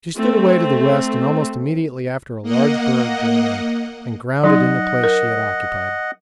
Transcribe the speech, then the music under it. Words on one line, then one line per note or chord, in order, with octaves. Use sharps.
She stood away to the west, and almost immediately after a large berg drove in and grounded in the place she had occupied.
A3 C4
A#3 D#5 F#5
F#3 D#4 D#5 F#5
A#4